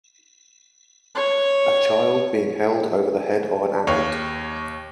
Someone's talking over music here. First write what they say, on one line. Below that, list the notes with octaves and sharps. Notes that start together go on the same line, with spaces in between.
A child being held over the head of an adult.
C#5
D#2 C#5 F5